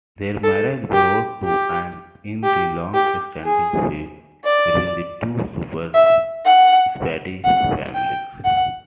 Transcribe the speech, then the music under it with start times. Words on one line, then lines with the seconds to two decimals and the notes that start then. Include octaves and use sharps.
Their marriage brought to an end the long-standing feud between the two super-speedy families.
0.44 A4
0.94 G4
1.44 G4
2.44 G4
2.94 G4
3.44 G#4
4.44 D5
5.94 E5
6.45 F#5
7.44 F#5
7.95 G5
8.45 F#5